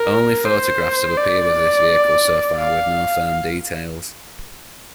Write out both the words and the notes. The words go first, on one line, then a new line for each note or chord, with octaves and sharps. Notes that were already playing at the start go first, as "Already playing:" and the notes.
Only photographs have appeared of this vehicle so far with no firm details.
Already playing: A#4
C5
D5
F5